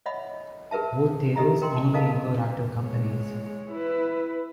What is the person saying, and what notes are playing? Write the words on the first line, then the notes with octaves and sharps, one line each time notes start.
Both tables only include active companies.
C#5 D#5 E5 F#5 B5
G#4 A#4 B4 E5 A5
G4 A4 D#5 E5 A#5
A#4 G5 C6
A4 A#4 D#5 F5 A5
G#3 C#5
E4 B4